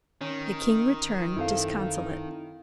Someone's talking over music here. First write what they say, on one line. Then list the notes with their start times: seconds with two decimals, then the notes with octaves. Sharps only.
The king returned disconsolate.
0.21 D#3 C#4
1.36 F#2 C4 E4 A4 F5